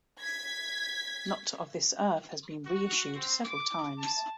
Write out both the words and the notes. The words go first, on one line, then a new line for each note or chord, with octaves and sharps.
"Not of This Earth" has been reissued several times.
G#6 B6
F#4
C4
D6
A5